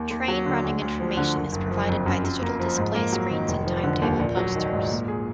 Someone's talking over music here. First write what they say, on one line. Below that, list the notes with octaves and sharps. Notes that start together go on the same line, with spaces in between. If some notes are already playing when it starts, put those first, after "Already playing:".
Train running information is provided by digital display screens and timetable posters.
Already playing: D#2
D#2
F#3
D3
D2
D2
F3
D3
F#1
F#1
F3
F2
F#2
F#2
A#3
F3
G#2
A#3
F#3
D#3
F1
F3
D3
D#2
A#1
F#3
D#3
G#2
A#2
G#4